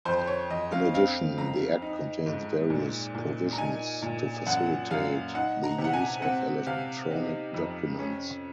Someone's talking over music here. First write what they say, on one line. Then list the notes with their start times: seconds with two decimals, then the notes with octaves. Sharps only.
In addition, the Act contains various provisions to facilitate the use of electronic documents.
0.05 F2 C5
0.19 C5
0.27 C#5
0.50 F2 D#5
0.72 F5
0.94 C4 F5
1.38 F2 A#5
1.82 D#4
2.26 G#2
2.70 A#2
3.15 A#2
3.53 A#5
3.58 D#4 G#5
4.02 A#2
4.46 F#2 F#5
4.91 F#2 F5
5.35 D#4 F#5
5.63 A#5
5.78 C3
5.84 F#5
5.94 G#5
6.22 C4 F#5
6.67 C3 F5
7.11 D#4
7.54 F2
7.99 C#4